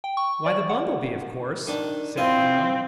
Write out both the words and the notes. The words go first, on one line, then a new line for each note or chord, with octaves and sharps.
"Why the bumble-bee, of course!" said Bruno.
G5
C#6
D5
F#5
D#3 D4
C4 E4 F4 D#5